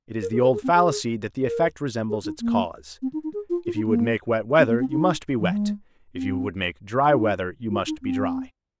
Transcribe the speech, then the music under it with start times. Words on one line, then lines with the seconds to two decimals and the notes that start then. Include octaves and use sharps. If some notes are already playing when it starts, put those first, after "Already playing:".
It is the old fallacy that the effect resembles its cause: if you would make wet weather, you must be wet; if you would make dry weather, you must be dry.
0.22 A#4
0.32 G#4
0.43 A#4
0.53 G#4
0.64 C4
0.74 G#4
1.46 A#4
2.10 G#4
2.25 D#4
2.41 A#3
3.02 C4
3.13 D#4
3.24 D#4
3.34 G#4
3.50 F4
3.65 F4
3.75 D#4
3.86 A#3
4.58 C4
4.70 A#3
4.80 C4
4.90 D#4
5.40 F3
5.52 G#3
6.15 C4
7.09 D#4
7.71 F4
7.87 D#4
8.03 C4